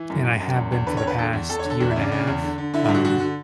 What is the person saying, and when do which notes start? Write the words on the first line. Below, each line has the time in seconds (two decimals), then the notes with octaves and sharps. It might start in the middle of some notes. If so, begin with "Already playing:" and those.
and I have been for the past year and a half, um,
Already playing: E3
0.10 F#2
0.25 F#2
0.40 F#2
0.56 E2
0.72 E2
0.87 D3 B4
0.97 C#5
1.03 E2 B4
1.18 D3 A4
1.33 E2
1.49 E2 A4
1.59 C#5
1.65 D3
1.70 A4
1.80 E2 F#4
1.91 E4
1.96 C#3 D4
2.12 C#3
2.27 E2
2.42 D3
2.58 D3
2.74 D3 E4
2.84 E4
2.89 G2
2.95 F#4
3.05 D3 F#4
3.20 D3